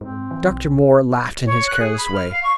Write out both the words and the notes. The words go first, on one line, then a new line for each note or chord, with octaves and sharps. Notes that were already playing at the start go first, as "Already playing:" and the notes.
Dr. Moore laughed in his careless way.
G#2 C4
E3
B1
C#5
F#6
G#4
B5
F6
F5
C#6